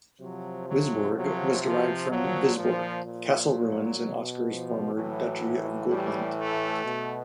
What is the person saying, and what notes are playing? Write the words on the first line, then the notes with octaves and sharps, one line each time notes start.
"Wisborg" was derived from Visborg, castle ruins in Oscar's former Duchy of Gotland.
C3 F3 F#3
F#3
C3 F3 F#3
F3
A#2 F3 F#3
F3
A#2 F3
F#3
B2
F3
A2 E3 F#3
A2 E3 G3
A3
B2